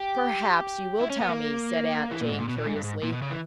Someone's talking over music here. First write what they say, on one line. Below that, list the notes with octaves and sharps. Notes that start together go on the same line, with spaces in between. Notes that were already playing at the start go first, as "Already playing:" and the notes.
"Perhaps you will tell me," said Aunt Jane, curiously.
Already playing: G4
E4
C#4
B3
A#3
E3
A#2
G#2
A#2
B2
A#2
G#2
G2
G#2
A#2
B2
C#3
E3